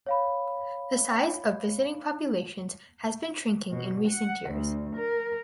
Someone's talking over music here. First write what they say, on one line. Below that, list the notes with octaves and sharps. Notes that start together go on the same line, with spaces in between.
The size of visiting populations has been shrinking in recent years.
C#5 F5 B5
B2
F#5
D2
A#4